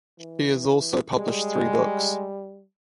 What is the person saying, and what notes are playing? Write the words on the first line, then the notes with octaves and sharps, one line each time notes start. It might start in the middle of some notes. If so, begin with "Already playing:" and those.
She has also published three books.
E3
G3 G#3